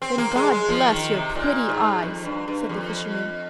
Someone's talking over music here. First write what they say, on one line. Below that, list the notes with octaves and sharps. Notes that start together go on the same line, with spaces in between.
"Then God bless your pretty eyes," said the fisherman.
C4
A#3
G#3
G#3
F3
D#3
C3
A#2
G#2
F2
G2
G2
F2